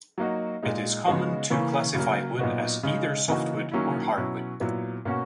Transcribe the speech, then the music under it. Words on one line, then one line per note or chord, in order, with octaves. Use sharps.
It is common to classify wood as either softwood or hardwood.
F#3 A#3 D#4 F#4
A#2 G#3 D#4
C#3 G#3 B3 D#4 F#4
C#3 E3 A#3 C#4
C#3 F#3 A#3
A#2 F#3 B3 D#4 F#4
C#3 G#3 D#4
C#3 E3 A#3 D#4 F#4
D#3 F#3 A#3 C#4 E4
B2 F#3 C#4 E4
A#2 F#3 B3 E4
B2 A#3 C#4 F#4